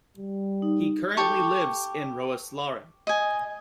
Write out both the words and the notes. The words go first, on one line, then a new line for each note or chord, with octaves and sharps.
He currently lives in Roeselare.
G3
D#4
G4 A4 C#6
D#5 G#5